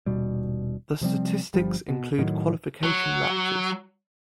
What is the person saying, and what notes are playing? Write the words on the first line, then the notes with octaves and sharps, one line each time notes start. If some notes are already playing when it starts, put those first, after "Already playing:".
The statistics include qualification matches.
D#1 B2 G3
C3 F3 G3 C4
G1 D#2 F3 G3
B2
A2 D#3 F#3
F#3